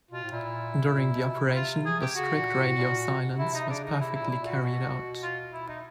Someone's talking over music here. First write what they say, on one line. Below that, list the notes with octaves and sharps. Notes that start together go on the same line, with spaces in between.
During the operation, the strict radio silence was perfectly carried out...
B2 F4
A2
A#2 E4
A#2
B2
C3
E4
C3 F4
G#4
G4
C#3 F#4
A#2
A2
A#2
B2
C3 E4
D#4
C#3 D4
D#4
C3 E4
E4
A#2
E4
A#2
F#4
B2
F4
E4
D#4